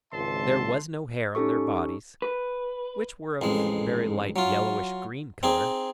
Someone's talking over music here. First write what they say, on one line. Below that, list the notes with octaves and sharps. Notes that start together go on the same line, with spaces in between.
There was no hair on their bodies, which were of a very light yellowish-green color.
G#1 C#2 E5 A5 C6
C#4 D#4 G4 A4 C#6
B4
A1 F2 G#3
F#3 F4
C4 D#4 G#4